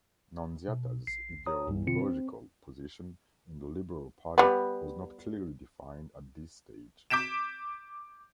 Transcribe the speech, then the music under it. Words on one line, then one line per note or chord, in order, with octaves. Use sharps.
Nunziata's ideological position in the Liberal Party was not clearly defined at this stage.
B2
A#1 C7
C#5 A#5 D#6
C2 G2 G3
B2 D3 C4 F4 C#7
C4 C5
G3 B3
D6 G6 B6 D7 E7